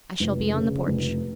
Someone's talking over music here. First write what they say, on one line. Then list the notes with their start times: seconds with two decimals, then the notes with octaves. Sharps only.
I shall be on the porch.'
0.20 F1
0.54 C#3
0.87 F1